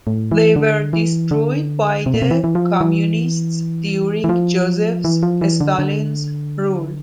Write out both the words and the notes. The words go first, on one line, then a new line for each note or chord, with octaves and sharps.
They were destroyed by the Communists during Joseph Stalin's rule.
A2
E3
D3
E3
D3
C3
A#2
C3
E3
E3
F3
E3
E3
F3
E3
F3
E3
D3
D3